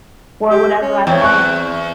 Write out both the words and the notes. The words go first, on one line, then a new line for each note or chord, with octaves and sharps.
for whatever I plant
G4
C#4
E2 C4 C#5 G5
C#6 F#6